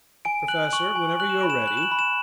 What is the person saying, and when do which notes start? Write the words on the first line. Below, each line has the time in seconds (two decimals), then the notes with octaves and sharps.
"Professor, whenever you're ready. . . ."
0.25 G#5 D7
0.48 F#6 F#7
0.73 C#6 F#7
0.95 G#5
1.20 F#6 F#7
1.30 E7
1.41 B5 D7
1.50 E7
1.62 E7
1.67 F#6 F#7
1.77 E7
1.83 F#7
1.92 B5
1.99 E7